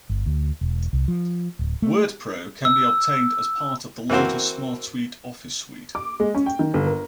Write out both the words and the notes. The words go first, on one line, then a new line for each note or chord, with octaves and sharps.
Word Pro can be obtained as part of the Lotus SmartSuite office suite.
G1
D2
E1
C2
F3
D1
A3
E6
E3 A#3 C4 F#4 C5
D6
G#3
C#4
G5
D#3
G1
A#4